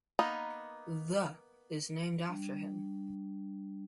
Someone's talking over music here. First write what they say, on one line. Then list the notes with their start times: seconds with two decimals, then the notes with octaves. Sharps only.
The is named after him.
0.19 A#3 B3 D#4
2.29 G3 D4